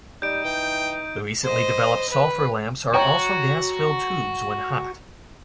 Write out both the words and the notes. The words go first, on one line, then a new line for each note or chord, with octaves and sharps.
The recently developed sulfur lamps are also gas-filled tubes when hot.
G3 D#4 G6 D7
E3 G5
C5 D#5
B4
F#4 C#5 G5 A#5